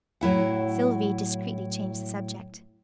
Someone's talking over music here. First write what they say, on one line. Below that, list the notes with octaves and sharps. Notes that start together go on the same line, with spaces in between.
Sylvie discreetly changed the subject.
A2 F#3 E4 F#5